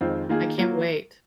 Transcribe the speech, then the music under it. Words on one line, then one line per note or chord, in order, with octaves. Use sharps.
I can't wait,
F2 D#3 G#3 C4 F4
D#3 A#3 F4 G#4
F#3 A#3 F4